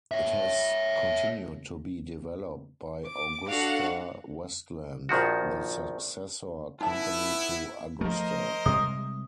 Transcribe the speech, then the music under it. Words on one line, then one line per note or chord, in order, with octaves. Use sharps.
It has continued to be developed by AgustaWestland, the successor company to Agusta.
C#5 E5
D6
D4 F#4 A4 F5 F#5
A#1 D#3 F3 F#4
B3 D#4 E4 A5
F3 A3 A#4 C5 D#5
C3 G3 G#3 D#6